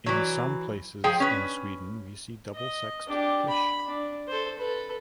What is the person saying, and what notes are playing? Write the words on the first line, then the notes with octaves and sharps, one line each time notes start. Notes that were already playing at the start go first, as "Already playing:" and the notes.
In some places in Sweden we see double-sexed fish.
E3 F#3
F3 G#4 G5
C#4 B4
D#5
D4 G4
B5
D4
A4 C5
A4 B4